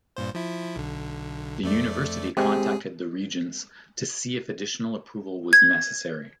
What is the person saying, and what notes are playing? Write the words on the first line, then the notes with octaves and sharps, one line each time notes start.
The university contacted the Regents to see if additional approval was necessary.
G2 A#2 C5
F3 E4
B1 D3
F2 A3 D5
G#3 C4 G4 G#4
G#6